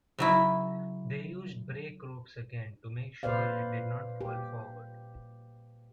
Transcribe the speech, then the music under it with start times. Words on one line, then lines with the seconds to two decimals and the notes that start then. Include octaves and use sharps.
They used brake ropes again to make sure it did not fall forward.
0.19 C#3 F#3 E4
3.23 A#2 B4 C5 D5 F5
4.21 G4